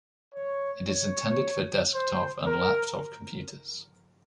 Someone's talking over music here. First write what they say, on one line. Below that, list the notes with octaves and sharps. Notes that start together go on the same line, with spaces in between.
It is intended for desktop and laptop computers.
C#5
C#5
C5
A#4